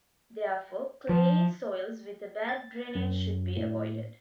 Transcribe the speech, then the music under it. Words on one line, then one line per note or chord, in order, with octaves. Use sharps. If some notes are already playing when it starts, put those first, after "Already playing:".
Therefore, clayey soils with a bad drainage should be avoided.
F3
A6
F#2
A2